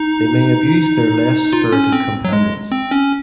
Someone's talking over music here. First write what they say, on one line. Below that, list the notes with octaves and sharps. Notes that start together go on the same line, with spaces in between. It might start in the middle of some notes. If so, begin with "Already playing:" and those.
They may abuse their less spirited companions.
Already playing: D#4
F4
C#4
C4
F#3
G#3
C4
C#4